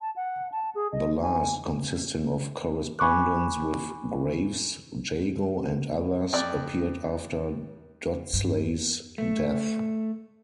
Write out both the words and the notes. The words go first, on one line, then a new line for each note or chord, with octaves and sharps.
The last, consisting of correspondence with Graves, Jago and others, appeared after Dodsley's death.
A5
F#5
A5
G#4
D#5
G#5
G#5 B5 C#6 D6 F#6
F2 D5
G2
A3